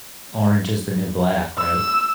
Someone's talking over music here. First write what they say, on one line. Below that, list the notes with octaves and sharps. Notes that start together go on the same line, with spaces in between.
Orange Is the New Black, right?
E6